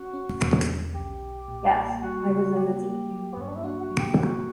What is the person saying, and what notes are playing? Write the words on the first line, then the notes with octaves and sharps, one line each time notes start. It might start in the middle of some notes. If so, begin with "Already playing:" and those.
Yes, I was in the team.
Already playing: C#4 F#4
C#4
E2
D3
B1 G4
B1
A#2
A#3
G3 F#4
C#3
G3 G4
A#3
F#3
B3
G2 C#4
D4
E4
D4 F#4
F#4
F#3
G4
A#3 F#4